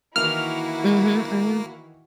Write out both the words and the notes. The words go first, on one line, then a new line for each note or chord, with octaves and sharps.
Mhm, mhm.
D#3 E3 A#3 E4 F#4 F6